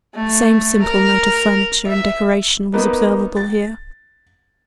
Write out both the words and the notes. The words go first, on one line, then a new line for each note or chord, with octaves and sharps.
The same simple note of furniture and decoration was observable here.
A3
A#4
E5
A#3 B3 D#4
A6